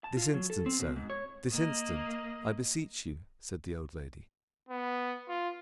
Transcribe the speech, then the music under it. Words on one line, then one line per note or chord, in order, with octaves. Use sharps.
"This instant, sir--this instant, I beseech you!" said the old lady.
A5
F4
F#3
A4
C4
B2
G#2
C#5
A#3 D#5
B3
F4